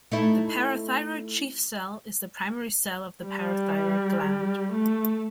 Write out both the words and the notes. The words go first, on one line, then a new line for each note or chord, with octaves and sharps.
The parathyroid chief cell is the primary cell of the parathyroid gland.
A3 D#4 E4
G3
A3